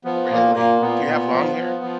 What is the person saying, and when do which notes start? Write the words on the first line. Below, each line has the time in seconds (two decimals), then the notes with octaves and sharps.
Really? Do you have long hair?
0.04 F3 B3
0.30 A#2 A#3
0.55 A#2 A#3
0.82 A#2 B3
1.06 A#2
1.33 F3
1.57 F3
1.84 F3